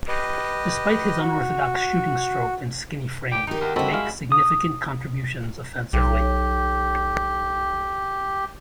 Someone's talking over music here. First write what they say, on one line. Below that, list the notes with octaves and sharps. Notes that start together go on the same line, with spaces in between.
Despite his unorthodox shooting stroke and skinny frame, he makes significant contributions offensively.
G4 B4 D#5
F#4
G2 G3 C#4 G4
D#3 D#4 G4 A#4
E2
G3 C4 E4 F#4 A4 D#5 B5 D#6
G#3 F#4 F5
D#6
B1 G4